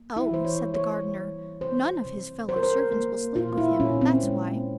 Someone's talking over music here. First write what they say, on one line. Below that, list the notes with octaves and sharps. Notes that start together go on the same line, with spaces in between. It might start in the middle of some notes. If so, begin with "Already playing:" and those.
"Oh," said the gardener, "none of his fellow-servants will sleep with him; that's why."
Already playing: A#3
E4
E3 C5
C#5
A#3 C#5
G3
C3 C5
C3
G3 C5
A#4
C5
A#3
A#2 F4
E4
A#2 C#4
C4
G#3